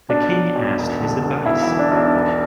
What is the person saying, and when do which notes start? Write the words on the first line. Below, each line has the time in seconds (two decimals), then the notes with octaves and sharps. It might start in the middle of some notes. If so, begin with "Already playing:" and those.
The king asked his advice.
0.09 B1 D4
0.32 F#3
0.55 B1
0.78 E1
1.00 D3
1.22 E1
1.45 B1 E4
1.63 E3 E4
1.79 D4
1.91 B1
1.97 D4
2.14 E1